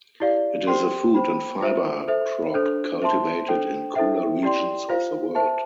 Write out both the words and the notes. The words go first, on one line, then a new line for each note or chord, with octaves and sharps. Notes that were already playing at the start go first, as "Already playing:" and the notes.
It is a food and fiber crop cultivated in cooler regions of the world.
E4 G4 D5 F5
G4 C5 G5 C6
C5 G5 B5
F4 C5 E5
A4 C5 E5
D4 A4 C5
C5 E5 A5 C6
D4 A4 C5 G5
E4 A4 C5 E5 G5
E4 G4 D5 G5 C6
F4 C5 F5
C5 E5 A5